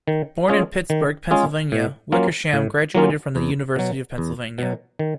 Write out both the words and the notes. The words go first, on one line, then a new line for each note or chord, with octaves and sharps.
Born in Pittsburgh, Pennsylvania, Wickersham graduated from the University of Pennsylvania.
D#3
G#3 C#4 F4 G#4
D#3
G#3 C#4 F4 G#4
A2
F#3 A#3 C#4 F4
A2
F#3 A#3 C#4 F4
E2
B2 F#3
E2
B2 F#3
D#3